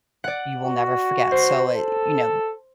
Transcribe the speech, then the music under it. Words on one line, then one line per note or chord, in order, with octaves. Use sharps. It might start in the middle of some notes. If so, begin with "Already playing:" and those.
you will never forget, so, uh, you know,
D5 F#5
F#4
C5 C7
A4